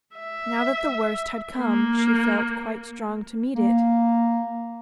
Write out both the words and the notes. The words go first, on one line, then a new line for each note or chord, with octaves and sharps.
Now that the worst had come, she felt quite strong to meet it.
E5
A#3
A#3